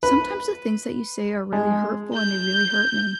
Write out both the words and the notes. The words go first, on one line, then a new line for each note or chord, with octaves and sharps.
"Sometimes the things that you say are really hurtful, and they really hurt me."
B4
G#3
G6